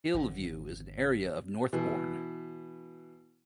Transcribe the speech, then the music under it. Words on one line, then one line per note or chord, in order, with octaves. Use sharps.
Hill View is an area of Northbourne.
G#1 D3
B2 E3